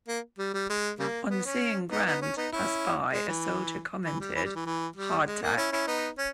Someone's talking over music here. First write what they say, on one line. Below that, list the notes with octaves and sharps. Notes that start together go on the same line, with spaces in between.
On seeing Grant pass by, a soldier commented, "Hardtack".
A#3
G3
G3
G#3
C#3 G3 A#3
B3
C#4
B3 D#4
B3 D#4
C#4
B3 D#4
C#4 E4
G#3
E3
E3
G3
E3
G3
E3
E3
G3
G#3
A#3
C#4 E4
C#4 E4
B3 D#4
C#4